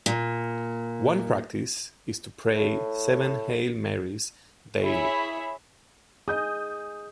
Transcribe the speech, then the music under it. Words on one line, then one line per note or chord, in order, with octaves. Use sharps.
One practice is to pray seven Hail Marys daily.
A#2
A2
E4 G#4 C#5 E5
G#4 D#5 D#6 G6